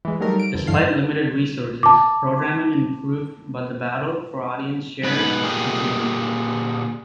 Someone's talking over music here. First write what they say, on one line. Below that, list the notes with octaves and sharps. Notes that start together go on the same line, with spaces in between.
Despite limited resources, programming improved but the battle for audience share continued.
E3 G#3
F#3 G3 A3 D#4 A#4
D7
E2 D3
G2 E3 A4 F5 C7
A5 D6
G#2 B2 B4
A#2 D3 A#3 G4 G#4